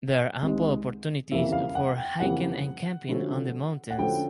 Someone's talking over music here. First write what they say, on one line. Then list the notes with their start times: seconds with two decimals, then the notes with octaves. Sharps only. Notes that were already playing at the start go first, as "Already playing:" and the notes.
There are ample opportunities for hiking and camping on the mountains.
0.42 C2 C3 D#3 G#3
1.31 F2 C#3 E3 G3 A#3 E5
1.53 F5
1.75 F#5
1.97 G5
2.20 F2 C#3 E3 G3 A#3 F#5
3.08 D3 F3 A3 C#4 F#4
3.90 F#5
3.97 D3 F3 A3 C#4 F#4 G5